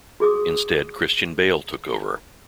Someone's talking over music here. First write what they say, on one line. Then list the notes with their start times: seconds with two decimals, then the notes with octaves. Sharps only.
Instead Christian Bale took over.
0.20 F#4 G#4 D6 D#6